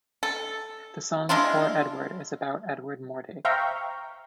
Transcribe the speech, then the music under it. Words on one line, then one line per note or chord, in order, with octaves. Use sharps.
The song "Poor Edward" is about Edward Mordake.
A4
G#3 D4 E4 F4
C5 E5 F5 G5 A#5 C#6